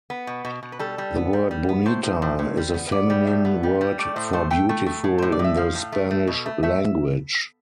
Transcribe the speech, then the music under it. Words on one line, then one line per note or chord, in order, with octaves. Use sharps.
The word "Bonita" is a feminine word for "beautiful" in the Spanish language.
B3
B2
B2
B2
B4
G3 A4
G3
B3
G3
G3
B3
A2 C5
A2
A2
A2
G3
B3
B3 D5
G3
A2
B3
G3
G3
A3 D5
A2 C5
A3 C5
A3 G5
A3
A3
A2
A2 C5
D5
A2
E5
F3 F5
A2
A3
A3
B2
A3
A3 E5